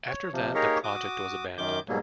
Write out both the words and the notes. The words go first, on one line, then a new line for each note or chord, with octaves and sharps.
After that the project was abandoned.
C#5
C3 F3
A#3 D#4 G4 G#4 A#4 C#5
F#4 D6 D#6
F#2 D#3 D6 G6
G#2 B2 F#3 G3 A#3